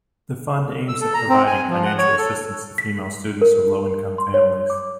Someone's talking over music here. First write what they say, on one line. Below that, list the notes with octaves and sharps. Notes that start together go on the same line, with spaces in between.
The fund aims at providing financial assistance to female students of low income families.
E6
A4
A#5
C4
G#5
F3
F#5
C#5
A4
B6
A#4
C6
C#5
D6